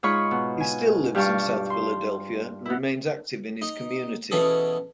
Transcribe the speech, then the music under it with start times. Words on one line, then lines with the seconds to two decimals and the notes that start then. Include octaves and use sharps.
He still lives in South Philadelphia, and remains active in his community.
0.03 G#2 D#4 F4 C#5 B5 C#6
0.31 B2
0.60 G#5
1.14 G2 G4 F5 A5 C#6
1.70 C6
2.65 B3 E4
3.62 D#4
4.31 B2 E3 C#4 G#4 A4